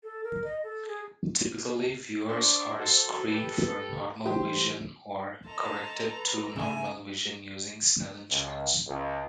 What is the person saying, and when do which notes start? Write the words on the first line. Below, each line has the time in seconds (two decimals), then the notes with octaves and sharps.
Typically, viewers are screened for normal vision or corrected-to-normal vision using Snellen charts.
0.03 A4
0.24 A#4
0.44 D#5
0.64 A4
0.88 G#4
2.29 D4 C5 C6 C#6
2.80 F#4 A4 C5 A5
3.31 G4 B4
4.26 E3 G3 A3 G4 C5
5.46 A4 D#5 A5 A#5 C6
6.13 B4
6.56 C#3 A3 E5 G#5
8.30 C#2
8.86 C#2